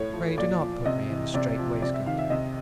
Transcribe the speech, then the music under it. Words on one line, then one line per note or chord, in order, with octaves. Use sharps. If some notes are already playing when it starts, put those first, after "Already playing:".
Pray do not put me in a strait-waistcoat.
Already playing: A2 C#5
F3
A#2 D5
F3
C3 D#5
E3
C3 D5
F3
C3 D5
E5
D#3 F5
E5
C3 D#5